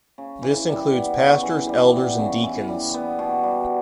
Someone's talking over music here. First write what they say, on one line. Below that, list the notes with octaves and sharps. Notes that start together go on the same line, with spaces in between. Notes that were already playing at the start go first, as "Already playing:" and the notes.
This includes pastors, elders and deacons.
C#3
E3
G3
B3
C#3
E3
G3
B3
C#3
E3
G3
B3
B2
G3